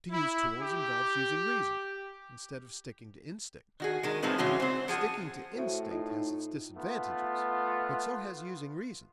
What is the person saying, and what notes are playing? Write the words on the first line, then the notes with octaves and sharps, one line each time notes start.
To use tools involves using reason, instead of sticking to instinct. Now, sticking to instinct has its disadvantages, but so has using reason.
E4
G4
D#3 F#4 G#4
D#3 G#3
A2 F3 G#3 C4 D#4 B4
C#3 E3 G#3 C#4 F#4
C4 C5
F3 G#4 F#5
A2 F#4 C5 E5
D#4 F4
A3 B3 F4